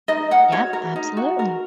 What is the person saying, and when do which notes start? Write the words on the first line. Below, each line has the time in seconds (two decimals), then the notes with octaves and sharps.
Yep, absolutely.
0.08 D#4 D#5
0.31 A#4 F#5
0.52 F#4 C#5
0.73 A#4
0.96 D#4
1.17 F#4
1.39 A#4